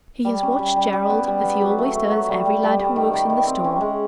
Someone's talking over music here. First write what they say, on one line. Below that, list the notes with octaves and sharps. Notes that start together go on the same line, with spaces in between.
He has watched Gerald, as he always does every lad who works in the store.
G3
C#4
G3
G3
G3
B3
G3
B3
F#3
A3
A3
F#3
G3
G3
G3
G3
D#3
D#3
D#3
C4
C#4
G#3